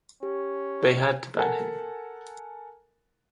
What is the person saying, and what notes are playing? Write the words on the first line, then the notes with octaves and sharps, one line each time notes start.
They had to ban him.
C#4 G4
A4 A#4 F#5 G#5 A5